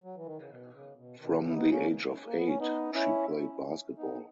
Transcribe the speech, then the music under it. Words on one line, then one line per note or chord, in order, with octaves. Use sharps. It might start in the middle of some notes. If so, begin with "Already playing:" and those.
From the age of eight she played basketball.
F#3
E3
D#3
C#3
B2
C#3
B2
B2 D#3
C#3 E3
E4
B3 D#4
A#3 C#4
A#3
B3
C#4
B3 D#4
C#4 E4
B3 D#4